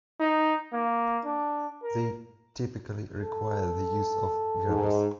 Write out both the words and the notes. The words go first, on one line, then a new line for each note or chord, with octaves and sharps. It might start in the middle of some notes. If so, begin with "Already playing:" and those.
They typically require the use of gerbes.
D#4
A#3
D4
A#4
A4
G#2